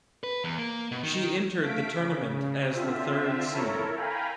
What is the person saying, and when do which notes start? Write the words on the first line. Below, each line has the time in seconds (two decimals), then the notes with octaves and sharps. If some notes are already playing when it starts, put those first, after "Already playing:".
She entered the tournament as the third seed.
0.24 B4
0.44 E2
0.58 A#3
0.92 B2
1.03 D#3
1.61 A3 F5 B6 D7
1.98 C#3
2.74 D3 C4 F4 E5
3.51 E4 A4 A#4 C#5
3.96 F5 G5 G#5 A#5 B5